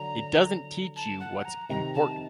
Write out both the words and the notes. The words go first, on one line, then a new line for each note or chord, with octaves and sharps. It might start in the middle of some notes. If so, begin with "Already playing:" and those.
It doesn't teach you what's important.
Already playing: D3 F#3 A#5
A5
F#5
A#5
C3 D#3 A#5
A5